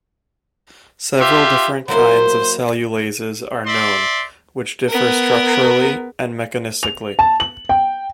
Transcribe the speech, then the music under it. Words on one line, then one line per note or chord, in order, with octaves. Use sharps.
Several different kinds of cellulases are known, which differ structurally and mechanistically.
F4 G4 E5
F#3 A#3 E4 C5
D5 E5 C6
B3 A#4
F7
A5
F#7
G5